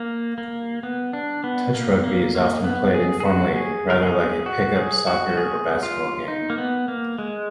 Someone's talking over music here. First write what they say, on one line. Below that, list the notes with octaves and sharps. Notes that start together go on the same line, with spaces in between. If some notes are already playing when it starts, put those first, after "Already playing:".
Touch rugby is often played informally, rather like a pick-up soccer or basketball game.
Already playing: A#3
A#3
B3
D4
B3
A#3
A#3
A#3
B3
G#4
G#4
F#4
G#4
A#4
G#4
F#4
G#4
F#4
G#4
F4
D#4
A#3
B3
A#3
G#3